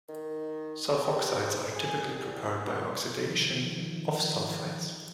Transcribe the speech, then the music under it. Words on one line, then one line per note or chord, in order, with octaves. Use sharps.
Sulfoxides are typically prepared by oxidation of sulfides.
D#3
C3
G#4
C2
D#3 F3